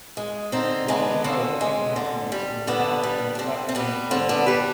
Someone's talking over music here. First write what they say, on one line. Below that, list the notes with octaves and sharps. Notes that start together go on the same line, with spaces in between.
Longkou is quite mountainous in the south and flat plains to the north.
G#3
D3 C4 D#4
G#3 B3 D4
D3 C4
G#3
D3
G3
D3 B3 D4
G3
D4
D3 C4
C4
G3 B3
D3 C4
B3 D4
G3 G4 B4